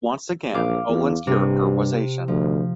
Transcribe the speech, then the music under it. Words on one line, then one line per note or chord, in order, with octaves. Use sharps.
Once again, Oland's character was Asian.
A#1 F5 D6
E2
G2 C3
D2 F3